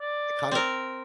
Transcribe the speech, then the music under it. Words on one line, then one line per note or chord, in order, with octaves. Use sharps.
I, kind of
D5
C4 A#4